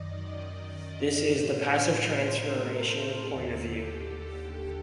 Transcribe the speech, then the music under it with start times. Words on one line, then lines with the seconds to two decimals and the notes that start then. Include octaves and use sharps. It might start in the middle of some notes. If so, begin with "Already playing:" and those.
This is the passive transformation point of view.
Already playing: F#2 D#3 D5 D#5
0.80 D5
1.28 A2 C5
2.26 A#4
2.75 A4
3.24 D#2 D3 A4
3.73 G4